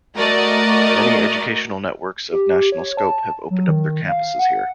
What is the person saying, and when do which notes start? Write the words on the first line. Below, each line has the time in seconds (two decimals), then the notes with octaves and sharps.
Many educational networks of national scope have opened up their campuses here.
0.17 A3 F#4 A#4 D5 D#5
2.31 G4
2.72 C#5
2.97 A5
3.50 F#3
3.68 D#3
4.08 F5
4.39 F#5